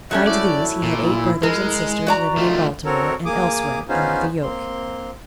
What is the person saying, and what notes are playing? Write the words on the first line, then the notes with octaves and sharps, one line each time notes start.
Besides these, he had eight brothers and sisters living in Baltimore and elsewhere, under the yoke.
F#3 A3 C#4 E5
E4 D5
A#2
G#3 A#4
F#4 D5 A#5
D#3 A3 F4
C4 F#4 A4 A#4 C#5
A#3 G#4 D6 D#6
B3 C#4 D#4 F4 G#4 C5
A#3 C4 C6